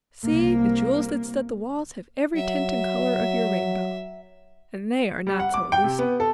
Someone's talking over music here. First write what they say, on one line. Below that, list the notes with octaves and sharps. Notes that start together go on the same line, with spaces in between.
See! the jewels that stud the walls have every tint and color of your Rainbow--and they are not so elusive.
C2 A#3
F#3 E5
G3
F#5
D6
G5
C3
B3
A4